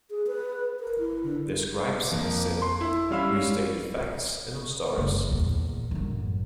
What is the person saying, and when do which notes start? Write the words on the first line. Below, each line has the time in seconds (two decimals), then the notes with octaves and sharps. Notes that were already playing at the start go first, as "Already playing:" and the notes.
The scribes said: We stated facts in our stories.
0.10 G#4
0.27 B4
0.80 A#4
0.98 E4
1.23 D3
2.12 F2 A#3
2.62 C6
2.81 E4
3.10 G3 C#4 F5 B5 E6
4.98 F#1
5.31 E2 A#2
5.91 A1 F#2